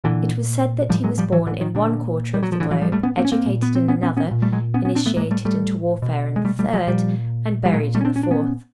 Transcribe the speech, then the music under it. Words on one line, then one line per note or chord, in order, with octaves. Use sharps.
It was said that he was born in one quarter of the globe, educated in another, initiated into warfare in the third and buried in the fourth.
A#2 D3 E3
A2 F3 G3
F#3 G#3
F3 G3
E3 F#3
D3 E3
D#3
A#2 D3
G3
F#3
F3
A2 D3 E3
E3 F#3
F3 G3
G3 A3
B3 C#4
A#3 C4
C#4
A#3 C4
A#2
B3
C4
B3 C#4
B3 C#4
B3 C#4
A#2
G3 A3
F#3 G#3
B3 C#4
B3 C#4
C4 D4
A3 B3
A2 G#3 A#3
G3 A3
G3 A3
B2
G#3
G3 A3
G3 A3
F#3 G#3
A#2 F3 G3
G3
A#2 F#3 G#3
G3 A3
C#4
C4 D4
C#4
D4
B3 C#4